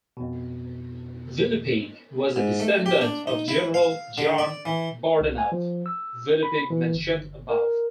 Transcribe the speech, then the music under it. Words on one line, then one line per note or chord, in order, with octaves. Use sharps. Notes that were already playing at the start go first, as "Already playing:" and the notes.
Villepigue was a descendant of General John Bordenave Villepigue mentioned above.
F2 B2
G#2
A3
G4
D4
D#4
E4
F5
D3
D5
E3
C2
G#5
F3
E6
B5
E3
G1
A#4